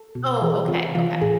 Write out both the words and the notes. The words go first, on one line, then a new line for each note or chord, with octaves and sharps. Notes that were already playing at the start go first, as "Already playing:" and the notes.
Oh, okay, okay,
Already playing: A4 A5
B2
F5
E3 G#4 G#5
C3 F4 F5
E3 F4 F5
A2 G#4 G#5